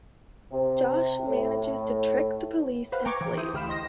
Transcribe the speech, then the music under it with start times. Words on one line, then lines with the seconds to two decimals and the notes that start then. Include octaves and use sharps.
Josh manages to trick the police and flee.
0.52 C3
1.25 A2
2.92 B4 C5 F5 F#5
3.05 G5 A#5 C#6 D6 G#6
3.21 E3
3.37 E4 C5 D#6
3.53 D2 G4 F5 B5 E7
3.69 D#5 C6 A#6